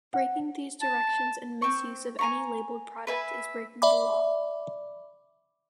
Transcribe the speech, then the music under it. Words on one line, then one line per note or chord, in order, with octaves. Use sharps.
Breaking these directions and misuse of any labeled product is breaking the law.
F#5
A5
C4 C#6
G#5 A#5 C#6
B4 E5 G#5
D5 E5 B5 D6